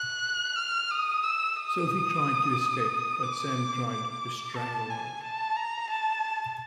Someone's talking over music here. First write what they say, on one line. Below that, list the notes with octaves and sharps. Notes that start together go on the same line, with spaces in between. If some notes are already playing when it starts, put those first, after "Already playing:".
Sophie tried to escape but Sam tried to strangle her.
Already playing: F#6
F6
D#6
E6
D#6
D6
D6
A5
G#5
A5
A#5
A5